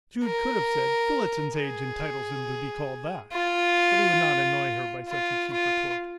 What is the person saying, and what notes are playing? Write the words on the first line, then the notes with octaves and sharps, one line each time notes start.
Jude could have said "Phillotson's age entitles him to be called that!" But he would not annoy her by such a cheap retort.
A#4
G#4
F4
F4
F4